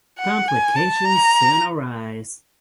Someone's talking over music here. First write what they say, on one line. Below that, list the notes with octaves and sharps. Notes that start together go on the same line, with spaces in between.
Complications soon arise.
F#5
G#5
A5
A#5